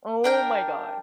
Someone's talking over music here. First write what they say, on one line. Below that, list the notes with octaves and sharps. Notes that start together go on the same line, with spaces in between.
Oh my god.
D4 A#4 G5